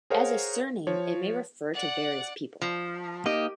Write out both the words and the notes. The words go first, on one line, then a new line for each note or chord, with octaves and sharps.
As a surname it may refer to various people.
G#4 A#4 C5 C#5 F5 F#5
F3 C#5
D5 F#5
F3
A#3 D#4 G4 D#5